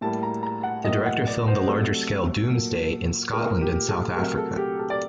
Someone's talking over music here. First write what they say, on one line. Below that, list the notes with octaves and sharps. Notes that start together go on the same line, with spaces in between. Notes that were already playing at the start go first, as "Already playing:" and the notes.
The director filmed the larger-scale "Doomsday" in Scotland and South Africa.
A2 G3 A#3 A5
A#5
A#5
F#5
A2 F#3 A#3 D#5
F#5
D5
C5
C3 F#3 A3 A4
A#2 F#3 A#3
A#2 A3 A#4
G4
A4
C3 F#3 A3 A#4
A4
G4
A4
D5